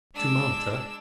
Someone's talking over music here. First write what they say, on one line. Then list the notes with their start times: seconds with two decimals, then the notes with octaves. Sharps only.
"To Malta?"
0.14 G#3 D4 E6